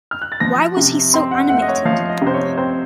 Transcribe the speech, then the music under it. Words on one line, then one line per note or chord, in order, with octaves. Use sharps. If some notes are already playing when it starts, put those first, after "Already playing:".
Why was he so animated?
F6
F#6
A6
F3 A#6
C3
C4 C6
F#5
A3 F#5
D#5
C#5
F3 F5
D#5
C3
C5
C#5
C4 C5